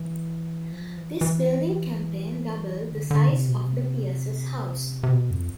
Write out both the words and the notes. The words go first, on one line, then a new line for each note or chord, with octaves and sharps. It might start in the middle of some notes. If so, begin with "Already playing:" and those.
This building campaign doubled the size of the Peirce's house.
Already playing: E3
F3
E3
E3
D3
D3
C3
B2
C3
C3
B2
F2